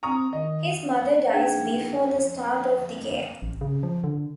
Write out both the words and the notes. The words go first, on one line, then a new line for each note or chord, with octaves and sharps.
His mother dies before the start of the game.
C4 A#5 C#6 D#6
D#3 D#5
D4 D#4 G#4 F#5 G5 G#6
A1
C#3
F3
D3